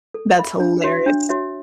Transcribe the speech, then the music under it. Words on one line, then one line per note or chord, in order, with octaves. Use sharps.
That's hilarious.
A4
E5 B5
D4
F#4 C#5 E5
D4
F#4 C#5 E5